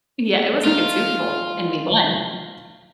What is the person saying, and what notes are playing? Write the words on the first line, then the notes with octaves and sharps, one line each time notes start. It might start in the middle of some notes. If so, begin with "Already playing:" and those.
Yeah, it was a good Super Bowl, and we won.
A3 D#4 F4